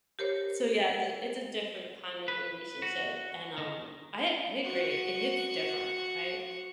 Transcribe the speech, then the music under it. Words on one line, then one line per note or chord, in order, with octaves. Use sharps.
So yeah, it's a it's a different kind of relationship and, um, I I agree. It hits different, right?
G4 A#4 C5 C#5
B4
F#4
D#3
F#4 C#6